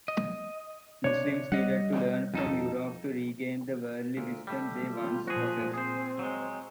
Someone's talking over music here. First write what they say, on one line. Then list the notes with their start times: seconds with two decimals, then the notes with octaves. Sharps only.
Muslims needed to learn from Europe to regain the worldly wisdom they once possessed.
0.08 D#5
1.04 C3 D4 C#5
1.52 G3 D#5 F#5
2.34 F2 D#4 A4
4.17 D2 A#2
4.47 G3 A3
4.93 F4
5.28 A#2 F3 F#4 G#4
5.74 C4 G#4 C5
6.19 F#3 G#3